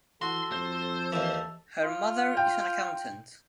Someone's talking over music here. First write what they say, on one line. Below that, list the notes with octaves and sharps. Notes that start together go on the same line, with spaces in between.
Her mother is an accountant.
E3 F#4 A4 C6
F2 C5
D#2 E3 A4
F4
G5